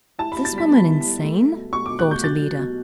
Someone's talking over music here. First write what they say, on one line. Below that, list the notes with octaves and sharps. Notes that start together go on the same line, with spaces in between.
"Is this woman insane?" thought Alida.
E4 A5
B5
B2
A6
G3 B6
B3
E4
G3
A3
A3
B2
B2 C#6
D6
B2
F#6
B2 G6
F#3 A6
F#3
B2